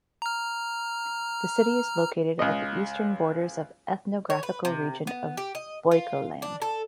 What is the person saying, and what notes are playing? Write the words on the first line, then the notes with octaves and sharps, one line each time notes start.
The city is located at the eastern borders of ethnographical region of "Boyko Land".
A#5 F6
C#2 D#5
C#5
B4
C3
B3
G4
D#5
F4
D4
A4